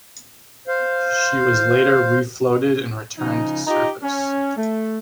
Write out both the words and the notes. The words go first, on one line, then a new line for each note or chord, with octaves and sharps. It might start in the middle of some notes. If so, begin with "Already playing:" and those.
She was later refloated and returned to service.
C5 F5
C#3 F3 D#4
D#4 F4 G4 D#5
C#4
A3